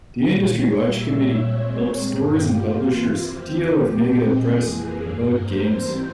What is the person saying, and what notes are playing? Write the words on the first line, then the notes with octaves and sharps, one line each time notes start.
The Industry Watch Committee helps stores and publishers deal with negative press about games.
A#2 G3 A#3 C#5
A#2 G3 A#3 E5
C#5
A#2 G#3 C4 C#5
A#4
G2 G3 A#3 G4
F4
C3 E3 A#3
E4
E2 C3 F3 G4
A#2 G#3 C4 G4
G#4
F2 E3 A#3
G2 G3 A#3 A#4
C5
G#2 E3 G3 C4